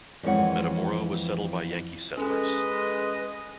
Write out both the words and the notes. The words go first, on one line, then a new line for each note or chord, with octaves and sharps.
Metamora was settled by Yankee settlers.
F2 E3 G#3 C#5 F#5
G#3 C#4 A4 B4 D#5 G#5